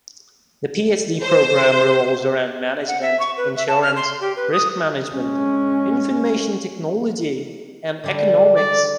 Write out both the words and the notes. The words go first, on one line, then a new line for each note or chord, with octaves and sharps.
The PhD program revolves around Management, Insurance, Risk Management, Information Technology and Economics.
C5
F#5
E5
C#6
B4
E5
A5
F6
C6
G4
B4
D#6
G#3 C#4
D3 G3 D4
D5